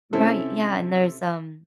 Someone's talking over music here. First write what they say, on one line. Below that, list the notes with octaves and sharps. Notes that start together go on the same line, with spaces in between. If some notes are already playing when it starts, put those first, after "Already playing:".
Right, yeah, and there's, um
C3 C#4 E4 A4 C5